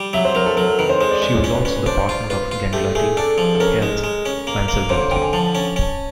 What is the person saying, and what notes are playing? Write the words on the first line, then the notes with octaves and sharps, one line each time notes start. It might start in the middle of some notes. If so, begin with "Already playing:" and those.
She was also the partner of Ganglati, Hel's manservant.
Already playing: G3
F#3 E5
C5
F#3 A#4
A4
F#3 A#4
A#4
D#3 B4
C5
G#3 C5
D5
G#3 D5
C#5
C#4
B4
C#4 B4
B4
D4 C5
F4
F4 B4
F4
A3 G4
A3 G#4
D4 A4
F3
A4
C#4 A#4
G#3
G#3
C#4
A#3
A#3
D3 C5
C#5
D3 G5
G#5
F3 A5
C#4
C#4